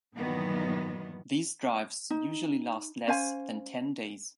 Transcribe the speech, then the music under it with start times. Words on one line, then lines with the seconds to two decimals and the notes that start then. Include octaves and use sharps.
These drives usually last less than ten days.
0.16 G2 A#2 D#3 E3 F#3 B3
2.10 D#4
3.07 C#4 C5 F5 G#5